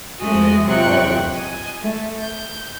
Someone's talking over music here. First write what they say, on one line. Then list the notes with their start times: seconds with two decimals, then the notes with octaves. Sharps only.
in our lifetime?
0.19 G#3 A3 F#4 D#5 G#5
0.65 C3 F#3 F4 F#5 G5 C#6
1.34 D#5 G#5
1.81 A3
2.20 G6